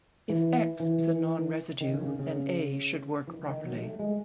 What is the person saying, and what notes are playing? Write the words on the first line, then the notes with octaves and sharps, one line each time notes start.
If "x" is a non-residue, then "A" should work properly.
E3
E3
D#3
C#3
C#3
C#3
E3
D#3
D#3
F#3
G#3
A3
G#3